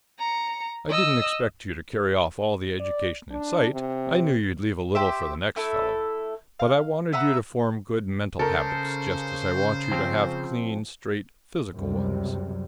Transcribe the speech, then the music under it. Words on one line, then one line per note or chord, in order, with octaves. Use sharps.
I didn't expect you to carry off all the education in sight--I knew you'd leave a little for the next fellow. But I wanted you to form good mental habits, just as I want you to have clean, straight physical ones.
A#5 C#7
D#5 E6
D5
D4
C3
G4 C5 E5
A3 E4 A4
F5
B4 E5 F#5 A#5
C#3 A4 A#4 C5
F3 C4
C#2 F#2 C3 F#3 G3